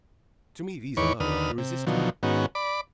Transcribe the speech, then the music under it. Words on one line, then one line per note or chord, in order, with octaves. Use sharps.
To me these alone are irresistible.
E2 D#3 B4 C#5 C#6 D6
D#2 D3 B4 D#6 F6
C3
B2 D3 D#3 F3 F#3
G#2 D#3 B3 C#4 F#4
D5 B5 D6